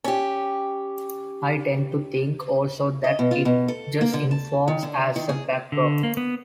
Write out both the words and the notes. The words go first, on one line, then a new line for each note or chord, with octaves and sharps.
I tend to think also that it just informs as a backdrop.
C#4 G4
D#5
B2
F4
B2
A4
A#3
D3
A5
D#3
D3
D#3
G#4
D3
A#3
B3